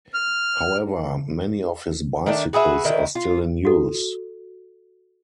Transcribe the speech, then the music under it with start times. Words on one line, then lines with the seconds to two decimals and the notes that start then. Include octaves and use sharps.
However, many of his bicycles are still in use.
0.14 F6
2.26 D#3 A3 D4
2.53 F#4 G#4 B4 E5
2.85 D3 D#3 E4
3.15 F4
3.65 F#4 A4